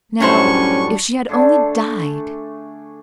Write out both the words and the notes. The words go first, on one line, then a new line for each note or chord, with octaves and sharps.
Now--if she had only died!
F#2 A2 F#3 G3 C#4 D4 C5 C#6
D3 A3 G#4